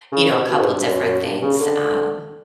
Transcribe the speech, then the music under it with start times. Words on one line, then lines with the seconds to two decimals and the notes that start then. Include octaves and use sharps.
you know, a couple different things. Um
0.12 C#3
0.30 C3
0.48 B2
0.59 G#2
0.68 G2
0.86 F#2
1.04 F#2
1.23 G2
1.41 C#3
1.60 D3